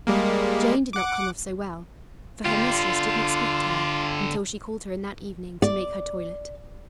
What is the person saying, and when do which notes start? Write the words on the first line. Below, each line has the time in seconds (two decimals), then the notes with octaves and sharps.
Jane did not come off so well, for her mistress did not speak to her until she called her in that evening to make her toilet.
0.07 G3 G#3 A#3
0.93 F#5 D6
2.45 D3 F4 G4
5.62 D5